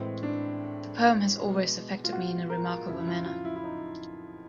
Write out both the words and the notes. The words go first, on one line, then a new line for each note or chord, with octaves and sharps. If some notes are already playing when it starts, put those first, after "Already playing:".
The poem has always affected me in a remarkable manner.
Already playing: A2 E3 G#3 C4
D4
B2 G#3
F4
F#4
A#4
F4
F2 C#3 F#3 E4
E4
F4
F4
E4
E4
D#4